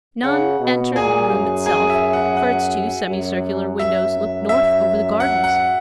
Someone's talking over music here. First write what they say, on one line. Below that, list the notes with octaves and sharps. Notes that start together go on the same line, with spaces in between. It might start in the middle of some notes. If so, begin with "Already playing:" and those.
None entered the room itself, for its two semi-circular windows looked north over the gardens.
C#3 F#5
B2
A#2 G#4 G#5
F#2
G#4 G#5
E5
F#5
F#5
F#2
F#2 E5
E5
F#5
F#5